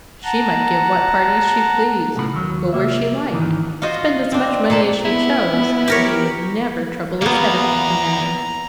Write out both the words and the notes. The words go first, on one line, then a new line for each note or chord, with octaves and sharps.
She might give what parties she pleased, go where she liked, spend as much money as she chose, and he would never, trouble his head about the matter.
F#5 A5 A#5
B1 A2 C#3 B5
D#2 F#3
C2 A#3 E5
G#2 D#3 E3
F4 F#4 C5 D#5
C4 D4
A#2 A#3 A5
B3 E4
G4 A#4 C#5
E2 A#3 B3 A#5